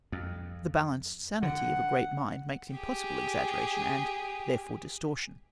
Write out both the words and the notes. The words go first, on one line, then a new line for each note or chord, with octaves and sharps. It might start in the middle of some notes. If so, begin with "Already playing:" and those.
The balanced sanity of a great mind makes impossible exaggeration, and, therefore, distortion.
F2
D3 F#5
G4 G#4